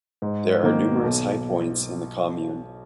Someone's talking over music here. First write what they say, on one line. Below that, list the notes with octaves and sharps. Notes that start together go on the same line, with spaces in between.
There are numerous high points in the commune.
G#2
D#3 A#3
B1